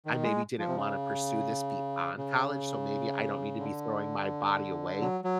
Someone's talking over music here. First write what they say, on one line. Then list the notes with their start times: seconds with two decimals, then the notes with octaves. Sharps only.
I maybe didn't wanna pursue this beyond college, so maybe I don't need to be throwing my body away,
0.06 D#3
0.23 G#3
0.59 F3
0.68 C3
0.76 C#3
2.17 C#3
3.59 D3
5.01 F#3
5.24 F#3